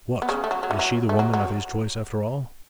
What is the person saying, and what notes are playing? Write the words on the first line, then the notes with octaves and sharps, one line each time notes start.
'What--is she the woman of his choice after all?'
B3
C#3 C#4
A3
F#3
F#3
E3
F#3
A3
F#3
F#3